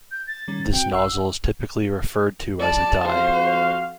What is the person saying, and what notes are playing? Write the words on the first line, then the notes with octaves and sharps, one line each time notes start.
This nozzle is typically referred to as a die.
G6
A6
D#3 G3 C#4
C4 F#4 G5
A1 F#5 E6 C7
D5 A5
F2 F#4 C5 F5